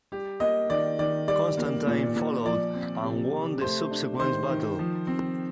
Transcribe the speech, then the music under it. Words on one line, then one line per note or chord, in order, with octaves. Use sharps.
Constantine followed, and won the subsequent battle.
G3 G4
A#3 D#5
D#3 D5
D#3 D5
G3 D5
A#3
A#2
A#2
F3 D5
C4
C3
C3
A3 C5
D4
D#3 C5
D#3
F3
C4